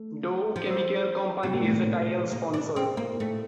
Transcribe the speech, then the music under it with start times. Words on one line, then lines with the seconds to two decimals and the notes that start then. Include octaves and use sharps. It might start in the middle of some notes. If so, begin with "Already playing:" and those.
Dow Chemical Company is the title sponsor.
Already playing: A3
0.56 F3
1.43 C3 G3
1.53 A#2
1.62 A2
1.71 A#2
2.32 A#3
2.54 D4
2.76 C4
2.97 A#3
3.14 A#2
3.20 A2 A3